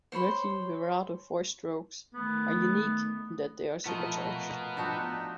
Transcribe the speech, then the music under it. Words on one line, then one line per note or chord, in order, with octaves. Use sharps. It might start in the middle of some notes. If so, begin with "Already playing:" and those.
Mercury Verado four-strokes are unique in that they are supercharged.
C5 C#5 B5 C6
D#3 A3 B3
F3 A3 B3 A#4 D#5
F3 D4 D#4 F#4 G4 E5